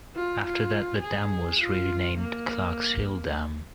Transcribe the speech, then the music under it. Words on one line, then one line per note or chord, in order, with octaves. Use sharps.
After that the dam was renamed "Clarks Hill Dam".
F4
F4
G#4
F4
A#3